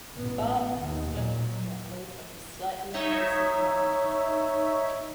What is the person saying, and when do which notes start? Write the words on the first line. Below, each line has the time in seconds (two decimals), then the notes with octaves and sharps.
Baaba is struggling to get away from his slightly invasive mother.
0.16 A1 B3
0.81 D#2 D#3
1.11 A#2 F#3
2.93 D#4 C#5 E5